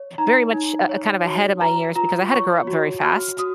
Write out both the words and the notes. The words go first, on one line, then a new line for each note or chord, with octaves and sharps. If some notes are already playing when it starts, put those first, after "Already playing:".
very much, uh, kind of ahead of my years, because I had to grow up very fast.
Already playing: C#5
D#4 A#5
D#4
C#5
F#4
B4 A#5
F4 A#5
C#5 C#6
F#4
F#4 F6
F#4 D#6